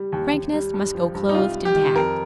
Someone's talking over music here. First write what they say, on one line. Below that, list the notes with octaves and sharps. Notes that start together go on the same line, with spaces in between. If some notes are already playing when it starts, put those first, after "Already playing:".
Frankness must go clothed in tact.
Already playing: G3
D#2
D#2
G3
G2
F3
G2
D#4
C2 F4
G3
G4
D#3
F2 A#4